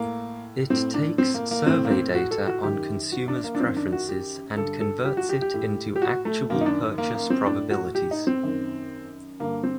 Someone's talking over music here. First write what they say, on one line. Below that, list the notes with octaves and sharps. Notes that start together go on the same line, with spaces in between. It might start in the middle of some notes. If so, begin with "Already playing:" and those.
It takes survey data on consumers' preferences and converts it into actual purchase probabilities.
Already playing: A2 A#3
A2 C4
D4
C4
A#3
A#3
A2 C4
A#3
C4
F#4
A4
F#4
F#2 D#3 G4
F#4
D4
A#3
D4
F#2 D#3 C4
D4
F#4
G4
G2 D3 A4
A4
G4
F#4
G4
G4
A2
G4
F#4
A3
F#2 D#3 A#3
D#4
D4
A#3
A#3
C4
A2 D4
F#4
G4
D#4
C4
F#2 D#3
G2 D3 A#3
C4